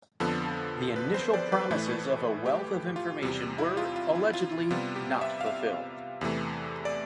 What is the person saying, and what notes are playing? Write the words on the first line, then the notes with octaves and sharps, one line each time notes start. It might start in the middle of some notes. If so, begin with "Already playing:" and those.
The initial promises of a wealth of information were, allegedly, not fulfilled.
F2 D3 F3 B3 A4
B4
C5
D5
B4
A2 E3 A3
G4
F4
E2 C3 G3
E4
F4
F4
E4
F4
C3 G3 B3 F4
G4
E5
F5
E5
E2 C3 E3 A3
D5